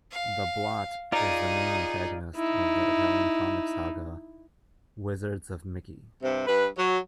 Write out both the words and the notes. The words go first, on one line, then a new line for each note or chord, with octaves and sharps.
The Blot is the main antagonist of the Italian comic saga "Wizards of Mickey".
F5
D#4 F4 G#4 D5 A#5
D#4 E4
G2 C3
G2 B4
F#3